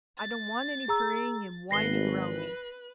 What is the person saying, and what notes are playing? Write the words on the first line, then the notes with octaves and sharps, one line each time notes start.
I don't want any praying and whining round me.
A6
G#4 A#5 E6
G#1 B4 F#6 A#6 C7 G7